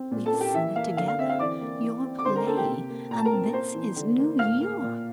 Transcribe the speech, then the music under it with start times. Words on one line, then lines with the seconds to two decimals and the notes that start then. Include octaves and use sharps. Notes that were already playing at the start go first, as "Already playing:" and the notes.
We've seen it together--your play--and this is New York!
Already playing: C4
0.11 A#2
0.26 A4 A5
0.34 A#3
0.41 G4 G5
0.54 E3 E5
0.75 A#3 F5
0.97 D3 F5
1.08 F5
1.19 C4 E5
1.30 F5
1.39 E3 D5 D6
1.61 A#3
1.82 E3
2.03 C4
2.19 D6
2.25 D3 C5 C6
2.35 A#4 A#5
2.47 A#3 A4 A5
2.57 G4 G5
2.68 C3
2.89 A#3
3.11 A#2 A#5
3.19 A5
3.25 A#4 A#5
3.32 C4
3.53 A#3 C5 C6
3.74 E3
3.96 D3
4.18 A#3
4.39 A2 F5 F6
4.61 A#3
4.82 A#2